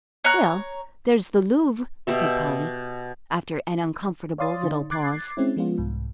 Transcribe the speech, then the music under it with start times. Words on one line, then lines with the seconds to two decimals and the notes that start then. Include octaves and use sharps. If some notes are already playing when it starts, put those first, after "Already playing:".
"Well, there's the Louvre," said Polly, after an uncomfortable little pause.
0.24 C#5 A#5 F#6
2.07 B2 G4 E5
4.38 C#5 D5 F5 C6 D#6 A6
4.63 D3 D#4
4.91 D6 F#6 G#6 A6 C7
5.37 G#3 C4 C#4 E4
5.56 F3 G#3 B3 C#4 F4
5.78 C2 G#2